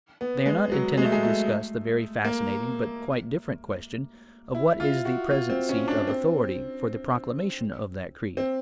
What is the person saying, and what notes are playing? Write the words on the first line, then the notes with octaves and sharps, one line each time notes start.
They are not intended to discuss the very fascinating but quite different question of what is the present seat of authority for the proclamation of that creed.
B3
G#3
F#3
G#3
A3
G#3
A3
A#3
E4
F4
F#4
F4
C4
C#4
D4
C4
C4